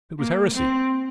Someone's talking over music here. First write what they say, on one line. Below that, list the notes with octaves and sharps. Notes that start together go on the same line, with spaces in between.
It was heresy.
A#3
C4